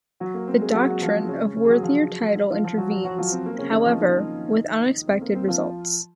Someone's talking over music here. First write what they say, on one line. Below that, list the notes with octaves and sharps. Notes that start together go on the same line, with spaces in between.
The doctrine of worthier title intervenes, however, with unexpected results.
F#3 F#4
A#3
C4
G#3 G#4
F#3 F#4
F#4
F3 F4
C#3 C#4
C#3 C#4
G#4
F#3 F#4
F3 F4
F3 F4
F3 F4
F#3 F#4
F#3 F#4
F#3 F#4
F3 F4
C4
A#3
C4
C#3 C#4
D#3 D#4
F3 F4
D#3 D#4
C4
A#3
C4
F3 F4